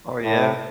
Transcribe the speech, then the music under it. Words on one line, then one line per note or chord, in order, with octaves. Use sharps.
Oh, yeah?
A2